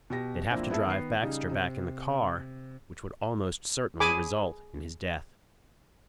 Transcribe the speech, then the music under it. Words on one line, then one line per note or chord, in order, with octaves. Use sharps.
They'd have to drive Baxter back in the car, which would almost certainly result in his death.
B2 G4 A#6
F2 F3 A#3 C4 D4 E4
B3 E4 G#4 E5 A5
D#3 B3 C7
C#3 G3 D#4 D#5
C3
G#4 G#5 B5 D6